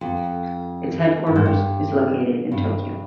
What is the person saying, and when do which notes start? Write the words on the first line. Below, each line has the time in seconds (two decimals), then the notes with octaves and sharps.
Its headquarters is located in Tokyo.
0.01 F2
1.27 G2
1.36 G#2
1.46 G2
2.52 G2